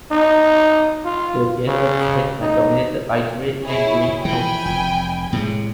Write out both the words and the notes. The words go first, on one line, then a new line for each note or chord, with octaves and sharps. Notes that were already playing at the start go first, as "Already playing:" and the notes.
The theatre space was dominated by grey and green tones.
D#4
F4
C#3
D#4
E4 G#4 C#5
E3 F3 G5 G#5 B5
F1
A2 C3 G#3